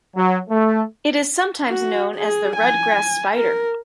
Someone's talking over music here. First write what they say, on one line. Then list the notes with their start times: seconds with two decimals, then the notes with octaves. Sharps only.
It is sometimes known as the red grass spider.
0.16 F#3
0.50 A3
1.69 F#4
2.17 G#4
2.56 G#5
3.34 A#4